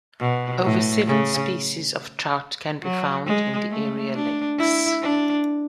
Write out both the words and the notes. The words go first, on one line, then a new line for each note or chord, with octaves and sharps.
Over seven species of trout can be found in the area lakes.
B2
A2
C#3
F#3
G#3
A3
D4
E4
D4